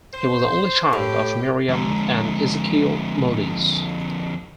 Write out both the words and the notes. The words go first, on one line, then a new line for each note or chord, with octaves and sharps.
He was the only child of Miriam and Ezekiel Modise.
C5
A2 G4
F2 D3 G#3 A#5